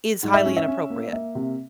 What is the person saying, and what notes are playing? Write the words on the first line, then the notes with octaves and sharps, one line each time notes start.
is highly inappropriate.
G#2
E5
C#4
E5
C#4
A#3
A#3 E5
C3